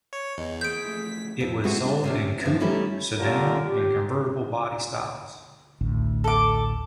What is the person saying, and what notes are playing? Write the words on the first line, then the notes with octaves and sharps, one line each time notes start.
It was sold in coupe, sedan and convertible body styles.
C#5
E2 D#5
A#3 G#4 C5 G6 B6 D7
E3 F3 A3
F2
G#3 A3 C4 F#4
D4
C3 C#4 D4
E2 G2 F3
G3 A3 C#4 D#4 E4 G4
D3 G3 C#4 F4 G4 A#4
G4
A1 D2 A2
A4 D6